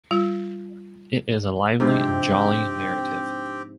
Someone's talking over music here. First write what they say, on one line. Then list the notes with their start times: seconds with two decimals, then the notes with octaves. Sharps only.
It is a lively and jolly narrative.
0.11 G3 F4
1.80 G#2 C3 F3 C4 D4 G4